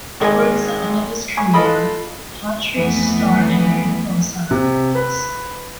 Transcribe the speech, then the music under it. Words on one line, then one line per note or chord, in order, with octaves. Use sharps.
Towards the end of his career Hawtrey starred in a handful of silent movies.
G#1 G#3 D#5 G#5
G#5 C#6
F4 A4 D#5 B5
F2 E3 A3 B3
C3
B4